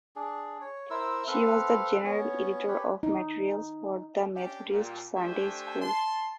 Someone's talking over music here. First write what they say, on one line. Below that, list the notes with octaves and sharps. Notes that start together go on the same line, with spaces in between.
She was the general editor of materials for the Methodist Sunday School.
D4 G#4
C#5
E4 A#4 C5 E6
C4 A4 B4 F5
B3 C#4 C#5
G4 B4 C#5
D#4
C#4 D4 G4
A#2 G3
A3 D4 G4 C5 E5 G#5
A5 C6